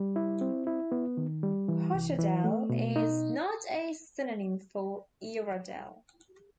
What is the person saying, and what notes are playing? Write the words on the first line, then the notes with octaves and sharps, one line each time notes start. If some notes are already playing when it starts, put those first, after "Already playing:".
"Hochadel" is not a synonym for "Uradel".
Already playing: G3
E4
C4
E4
B3
D#3
G3
E3
C2
E3
A3
B2
D#4